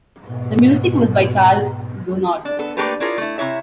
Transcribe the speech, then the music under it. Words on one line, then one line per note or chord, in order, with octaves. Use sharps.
The music was by Charles Gounod.
G#2 B2
D4
B3 A4
A3 A#3 D4 G4 A4 B4
D4 E4 F4 G#4 A#4 C#5
A3 E4
C3 E4 C#5 E5